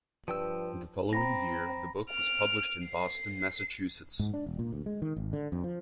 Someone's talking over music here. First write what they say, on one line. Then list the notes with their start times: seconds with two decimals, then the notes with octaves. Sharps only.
The following year, the book was published in Boston, Massachusetts.
0.28 G2 F3 G5 E6
1.13 C4 A#5 B5 A#6
2.11 F6 D7
2.87 C7
4.19 G#2
4.34 D4
4.46 E1
4.59 A#2
4.72 D2
4.86 G#3
5.02 D#3
5.16 G#1
5.33 D3
5.52 F2
5.64 F3